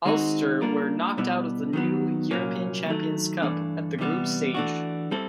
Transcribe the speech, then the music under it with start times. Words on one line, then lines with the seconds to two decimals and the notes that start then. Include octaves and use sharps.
Ulster were knocked out of the new European Champions Cup at the group stage.
0.05 D#3 G#3 C4 D#4 F#4
0.61 G3 A#3 D4 F4 A#4
1.17 B2 G3 B3 E4
1.73 D#3 F#3 B3
2.31 C2 A#2 F#3 A#3 C#4
2.86 D#3 F#3 A3
3.42 G2 E3 A3 D4
3.99 C3 E3 G3 B3
4.54 E3 A3 D4 F#4
5.11 G3 C4 E4 A4